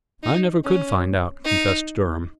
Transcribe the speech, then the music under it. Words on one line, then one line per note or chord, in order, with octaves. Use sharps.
"I never could find out," confessed Durham.
D#4
C#4
D#4